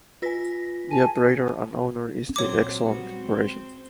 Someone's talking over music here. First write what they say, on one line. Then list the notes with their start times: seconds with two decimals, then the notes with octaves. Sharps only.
The Operator and Owner is the Exelon Corporation.
0.22 F4 B4 G#5 A#6 B6
0.91 G#4 G#5 A5 D#7
2.36 A#2 F#3 C4 C#5 D6
2.84 G3 B3 F#4
3.15 G#3 C4